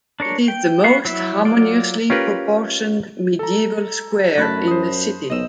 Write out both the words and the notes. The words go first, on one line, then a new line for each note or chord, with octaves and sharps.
It is the most harmoniously proportioned medieval square in the city.
D4 A#4 C#5
G5
B3 F#4 F5
F#3 E4 E5
F#3 F4 D5
C#4 F4 G4 A#4 B4
A4 A#5
F#2 A3 A5 B5 F#6 A#6
C5 D#6
B1 D#5 E6